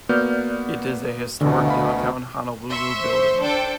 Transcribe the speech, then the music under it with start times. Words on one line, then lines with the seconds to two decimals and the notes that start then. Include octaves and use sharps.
It is a historic downtown Honolulu building.
0.09 A#3 B3 F#4 D5 F6 G6
1.41 A1 D2 B2 D3
1.67 F5 B5
2.69 E5 C6 C#6
3.01 C5
3.42 D4 A4 G5